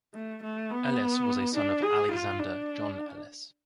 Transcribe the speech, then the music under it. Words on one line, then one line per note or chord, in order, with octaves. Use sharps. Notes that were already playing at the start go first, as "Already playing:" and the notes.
Ellis was a son of Alexander John Ellis.
A3
A3
B3
D4
G#4
F4
D4